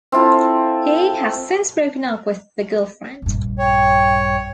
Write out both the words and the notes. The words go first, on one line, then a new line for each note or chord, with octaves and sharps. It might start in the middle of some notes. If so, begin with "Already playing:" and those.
He has since broken up with the girlfriend.
C4 E4 F4 A4
A#1 G2
C#5 G5